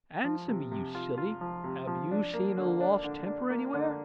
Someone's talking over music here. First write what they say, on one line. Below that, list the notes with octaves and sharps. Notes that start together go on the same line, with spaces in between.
Answer me, you silly, have you seen a lost temper anywhere?
F3
C3
C3
F4
F4
F3
C3
F3
D4
A#3
D3
D4
D3
D4
A#3
D3